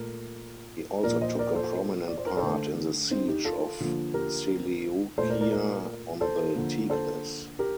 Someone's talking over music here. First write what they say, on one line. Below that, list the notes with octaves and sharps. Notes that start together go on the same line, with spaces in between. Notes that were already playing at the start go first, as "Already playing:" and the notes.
He also took a prominent part in the siege of Seleucia on the Tigris.
Already playing: A#2 A3 A#4
A#2 F3 A#3 A#4 D5
C5 D#5
A#4 D5
A4 C5
D5
C5
A#4
A4 C5
D3 A3
C4 D#4
D#4 G4
F4 A4
D3 F3 A#3
G4 A#4
A#2 A3 A4 C5
A#4 D5
A#4 D5
A#4 D5
A4 C5
D3 F3 A#3
A4 C5
G4 A#4